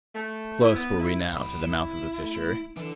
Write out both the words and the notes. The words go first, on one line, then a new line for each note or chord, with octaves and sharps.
Close were we now to the mouth of the fissure.
A3
E4
B3
E4
C2 F#3 B5
E4
A3
E3 D4 A4